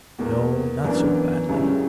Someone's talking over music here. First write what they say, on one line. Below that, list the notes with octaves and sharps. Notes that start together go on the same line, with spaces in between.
'No, not so badly.
E2 B2 A#3
F#2 E3 B3 D4 A#4
F#2 C#3 G3 C#4 E4